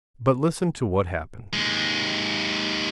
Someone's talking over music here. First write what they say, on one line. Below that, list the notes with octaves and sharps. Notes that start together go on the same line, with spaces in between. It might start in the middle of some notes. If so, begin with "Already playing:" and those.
But listen to what happened.
D#2 G#3